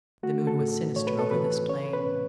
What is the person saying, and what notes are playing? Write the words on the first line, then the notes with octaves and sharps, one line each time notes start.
The moon was sinister over this plain.
A3 F#4
A4
A2
A2 C#5
B4
A4
E3 B4
C#4 C#5
B4
A2